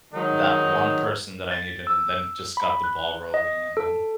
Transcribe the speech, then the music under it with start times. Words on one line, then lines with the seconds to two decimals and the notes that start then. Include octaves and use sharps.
that one person that I needed and then just got the ball rolling, and then
0.14 D#3 F#3 G#3 D#4
1.51 A6
1.87 E6
2.57 B5
2.84 F#6
3.34 D#5
3.77 A4